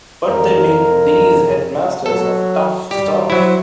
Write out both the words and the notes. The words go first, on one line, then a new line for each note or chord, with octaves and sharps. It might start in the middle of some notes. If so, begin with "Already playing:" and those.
But they make these head masters of tough stuff.
F2 A#4
F#3 A4
G3 G4
F#3 E4 C5